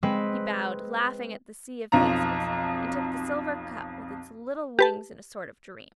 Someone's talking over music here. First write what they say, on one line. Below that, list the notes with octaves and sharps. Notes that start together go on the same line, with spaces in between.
He bowed laughing at the sea of faces, and took the silver cup with its little wings in a sort of dream.
G#3 C4 B4
B1 F2 F3 A#5
G4 B4 A5